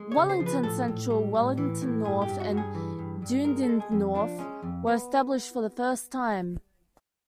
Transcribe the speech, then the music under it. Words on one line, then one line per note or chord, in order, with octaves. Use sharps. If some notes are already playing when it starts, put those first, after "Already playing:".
Wellington Central, Wellington North, and Dunedin North were established for the first time.
Already playing: G#3
C#5
C#3
C5
F3
B4
A2 A4
A2
G3
A2
E3
A2
G2 G#4
G4
G2
F#4
G2
G#4
E3
G2
G2
G#3 A#4
A4
G#3
G#4
F2
F3 D4
G#3 C#4
F2
B3